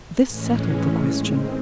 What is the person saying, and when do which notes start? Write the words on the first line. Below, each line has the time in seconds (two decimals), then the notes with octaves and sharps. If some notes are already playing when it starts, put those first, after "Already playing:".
This settled the question.
0.25 A2 E3 G#3 C#4
1.10 D#3 G#3 C4